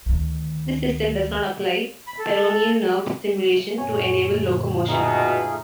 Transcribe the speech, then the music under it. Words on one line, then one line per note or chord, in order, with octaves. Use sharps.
This system does not apply peroneal nerve stimulation to enable locomotion.
D2 D#3
B5
A4
F#2 A#2 D3 C#5 G#5
B2 A3 D#4 F4 G#4